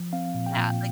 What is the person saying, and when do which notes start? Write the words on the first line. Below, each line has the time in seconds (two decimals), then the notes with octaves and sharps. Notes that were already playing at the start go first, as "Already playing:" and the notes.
Yeah, like
Already playing: F3
0.13 C4 F5
0.35 A#2
0.46 G5
0.57 A#2